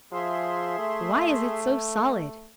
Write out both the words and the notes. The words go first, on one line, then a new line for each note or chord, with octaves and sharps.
Why is it so solid?
F3 G#4 E5 C6
A3